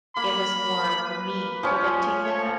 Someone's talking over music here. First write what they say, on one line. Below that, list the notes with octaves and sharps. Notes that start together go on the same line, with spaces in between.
it was more of me preventing that
A#3 B5
B4
F3 C#4
C#5